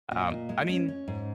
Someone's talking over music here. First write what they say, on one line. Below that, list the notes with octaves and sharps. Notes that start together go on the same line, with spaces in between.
Um, I mean,
A#2 D#5
A#2
G#3
C#4
C#4
G#2